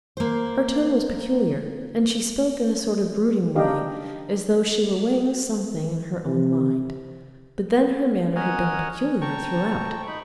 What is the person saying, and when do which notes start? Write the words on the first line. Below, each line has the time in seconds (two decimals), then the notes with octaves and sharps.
Her tone was peculiar, and she spoke in a sort of brooding way as though she were weighing something in her own mind; but then her manner had been peculiar throughout.
0.17 A#3 C5
3.56 D4 D#4 G4 D#5 F5
6.25 C3
8.36 C#4 A#4 C#5 D#5 F#5 G#5
9.21 G5 A5 A#5 C#6
10.07 D#4 B5